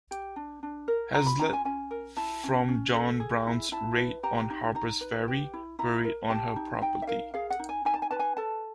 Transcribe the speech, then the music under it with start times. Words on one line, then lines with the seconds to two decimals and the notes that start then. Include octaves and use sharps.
Hazlett, from John Brown's raid on Harpers Ferry, buried on her property.
0.11 G4
0.36 D4
0.63 D4
0.88 A#4
1.14 F4 A#5
1.26 B5
1.40 C#4 A#5
1.53 G#5
1.65 C#4 G#5
1.91 A#4
2.17 E4 A5
2.44 C#4
2.68 C#4
2.95 A4
3.20 G#4
3.47 E4
3.72 E4 A5
3.98 B4
4.23 G4 A#5
4.50 D#4
4.75 D#4 A#5
5.01 B4
5.28 G4
5.53 E4
5.79 E4 A#5
6.04 A#4
6.30 G4 A5
6.56 D#4
6.82 D#4 G5
7.02 E5
7.07 A#4 F5
7.34 G#4 F5
7.50 F#5
7.59 D#4
7.69 G#5
7.85 D#4 G#5
7.94 A5
8.02 G#5
8.11 B4 A5
8.19 G#5
8.37 A4 A5